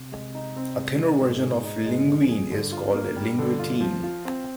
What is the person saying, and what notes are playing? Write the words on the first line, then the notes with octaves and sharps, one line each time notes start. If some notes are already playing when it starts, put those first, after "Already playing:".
A thinner version of linguine is called linguettine.
Already playing: C3
G#3
D#4
C4
G#3
G#3
G#2 D3
G#4
D#4
G#2 G#3
D3
F2
G#4
G2 D3
F4
G2
A#3
G2 G3
D3
F4
F2 F3
F4
C4